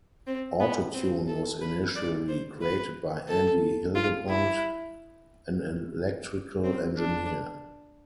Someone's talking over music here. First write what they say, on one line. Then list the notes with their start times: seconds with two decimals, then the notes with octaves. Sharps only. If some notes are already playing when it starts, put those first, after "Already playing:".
Auto-Tune was initially created by Andy Hildebrand, an electrical engineer.
0.27 C4
0.60 B3
0.94 C4
1.28 A4
1.61 B4
1.95 D5
2.28 C5
2.62 B4
3.29 A4
3.95 F4
4.29 E4
6.64 C4
6.98 D4